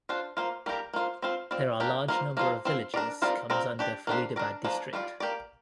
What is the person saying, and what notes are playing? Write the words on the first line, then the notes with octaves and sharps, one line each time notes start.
There are large number of villages comes under Faridabad district.
D4 F4 C5
A#3 F4 C5
G3 A#3 G4 A#4
A#3 F4 C5
C4 F4 C5
C4 F4 D5
A#3 D4 G4
A#3 F4 C5
F3 A#3 F4 C5
C4 F4 C5
D4 A#4 D5
G3 C4 F4 A#4 D5
C4 F4 A#4 D5
D4 G4 D5
A#3 D4 G4 C5
D4 A#4 D5
F3 A#3 D4
G3 D4 F4 D5
A#3 G4 D5